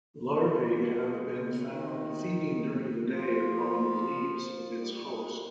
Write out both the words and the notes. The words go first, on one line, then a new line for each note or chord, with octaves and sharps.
Larvae have been found feeding during the day upon the leaves of its host.
F3
G3
A#3
G#3
C#3
D#3
F3
G3
G#3
A#3